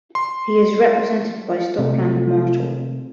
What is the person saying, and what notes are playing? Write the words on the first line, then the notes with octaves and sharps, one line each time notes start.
He is represented by Stockland Martel.
C6
C3 A3 C4